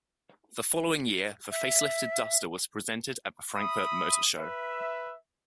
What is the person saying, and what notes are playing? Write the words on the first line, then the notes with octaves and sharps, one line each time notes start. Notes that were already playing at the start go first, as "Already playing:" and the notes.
The following year, the facelifted Duster was presented at the Frankfurt Motor Show.
E5
E5 B5 D#6
B4 E5